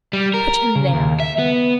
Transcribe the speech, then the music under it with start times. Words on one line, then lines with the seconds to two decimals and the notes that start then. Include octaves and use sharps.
"Put him there."
0.13 G3
0.34 A#4
0.76 C#3
0.94 D#2
1.20 E5
1.39 B3